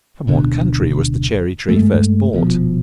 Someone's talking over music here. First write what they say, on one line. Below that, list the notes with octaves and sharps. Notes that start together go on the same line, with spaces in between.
From what country was the Cherry Tree first brought?
D1 B2 D3
G2 G#3 A3
D#1 B2 F3